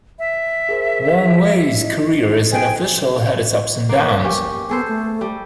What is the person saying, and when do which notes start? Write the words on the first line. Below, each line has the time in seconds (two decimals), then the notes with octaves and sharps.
Wang Wei's career as an official had its ups and downs.
0.18 E5
0.69 G#4 A#4 C5
1.82 E4 D#5
2.51 G#4 C5 G5 G#5
3.89 A#3 B3
4.24 C#4 G4
4.69 B3 G#4 A4 C5
4.88 A3
5.21 G3